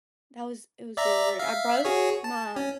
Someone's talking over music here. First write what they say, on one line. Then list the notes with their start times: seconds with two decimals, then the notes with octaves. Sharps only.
that was it was really weird. I broke my
0.97 D5 E5 A#5
1.40 E5 F5
1.85 F#4 G#4 C#5
2.24 A5
2.56 C#4